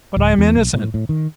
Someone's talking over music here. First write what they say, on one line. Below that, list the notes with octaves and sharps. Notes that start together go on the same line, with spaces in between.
"But I am innocent."
D1
E2
B1
A2
A2
D#3